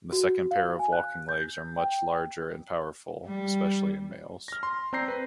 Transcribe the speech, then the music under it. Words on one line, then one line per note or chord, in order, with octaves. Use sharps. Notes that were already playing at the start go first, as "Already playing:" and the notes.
The second pair of walking legs are much larger and powerful, especially in males.
F#4
F5
G#5
F#6
G6
G5
G3
F6 A#6
C6
C4 D5 A#5 G6 A#6 C7
B4